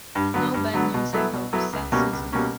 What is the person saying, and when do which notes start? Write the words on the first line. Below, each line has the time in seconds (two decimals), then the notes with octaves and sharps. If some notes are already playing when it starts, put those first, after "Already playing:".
"No bad news, I hope," said Susan.
0.15 G2
0.34 D3 F#3 B3
0.54 G2
0.73 D3 F#3 B3
0.94 B2
1.13 F#3 B3 E4 A4
1.33 B2
1.53 F#3 B3 E4 A4
1.73 C#2
1.92 B2 G3 A#3 C#4
2.13 C#2
2.33 B2 G3 A#3 C#4